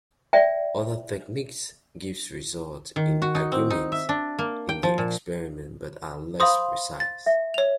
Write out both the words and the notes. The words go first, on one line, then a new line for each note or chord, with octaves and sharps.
Other techniques give results in agreement in the experiment but are less precise.
D5 E5 G5
D#3
F#4
D#4
C4
D#4
E5
D4
A#3
G5
F3
A#2
C5 F5 B5 C6 D#6 A#6
A6
E5
C#5 F7